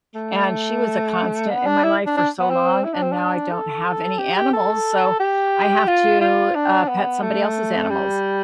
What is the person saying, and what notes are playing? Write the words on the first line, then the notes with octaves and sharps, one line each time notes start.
and she was a constant in my life for so long, and now I don't have any animals, so I have to, uh, pet somebody else's animals.
A3
B3
D4
E4
D4
D4
B3
C4
E4
D4
C4
D4
A4
G4
G4
A4
G4
F4
F4
D4
B3
A3
G3